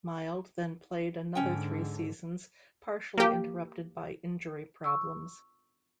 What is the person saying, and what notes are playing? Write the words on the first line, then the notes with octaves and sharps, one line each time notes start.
Mild then played another three seasons, partially interrupted by injury problems.
G#2 D3 C#4 G5
A#3 G4
C#6 E6